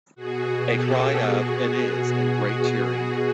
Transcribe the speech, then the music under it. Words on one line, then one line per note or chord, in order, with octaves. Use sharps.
A cry of “It is,” and great cheering.
B2 F#4 G#4
G4 A4
B2 F#4 G#4